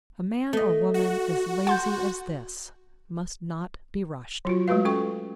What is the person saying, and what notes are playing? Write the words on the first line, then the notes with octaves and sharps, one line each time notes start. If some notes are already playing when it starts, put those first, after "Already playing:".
A man or woman as lazy as this must not be rushed.
A3 D#5
F#4
F#5 A5 C6 G6
F#3 F4 F#4
G#3 A3 F#4 B4 F5
C#4 A4 G5 C#6